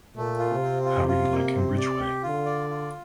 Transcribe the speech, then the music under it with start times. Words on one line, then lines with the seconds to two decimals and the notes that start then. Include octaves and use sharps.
How are you liking Ridgeway?
0.16 A#2 A3
0.39 F4
0.51 C3
0.62 C4
0.85 F4
1.08 F4
1.32 A#3
1.55 C4
1.77 D5
2.00 G4
2.23 D3 F4
2.46 D5
2.70 F4